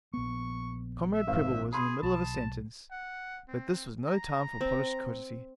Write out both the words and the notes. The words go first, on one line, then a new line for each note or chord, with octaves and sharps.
Comrade Prebble was in the middle of a sentence, but this was no time for polished courtesy.
A#1 B3 C#6
E5
G#1 F5
G#4 B5 C6 D#6
B1 A5
F#5
C4
A#5
C4